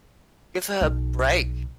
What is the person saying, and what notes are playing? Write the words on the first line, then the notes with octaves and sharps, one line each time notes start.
Give her a break!
B1